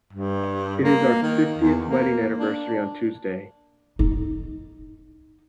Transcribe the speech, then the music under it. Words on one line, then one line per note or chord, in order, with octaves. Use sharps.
It's our fiftieth wedding anniversary on Tuesday.
G2
A#3
D#3
E2
A#3
D4
D#4